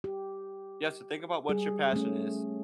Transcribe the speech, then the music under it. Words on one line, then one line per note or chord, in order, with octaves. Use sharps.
you have to think about what your passion is,
G4
G3 G#4
A3 C#4